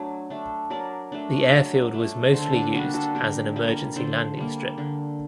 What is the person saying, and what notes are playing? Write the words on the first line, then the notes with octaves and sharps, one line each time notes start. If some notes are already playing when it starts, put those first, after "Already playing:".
The airfield was mostly used as an Emergency Landing strip.
Already playing: F#3 A3 D4
A3 D4
F#3 A#4 D5
A3 D4
F#3
A3 D4
D3 A4 C5
D4 F#4
G3 A#3 D4 F#4
F#4 A4
D3 G4 A#4
G3 A#3
D3 A4 C5
G3 A#3
D3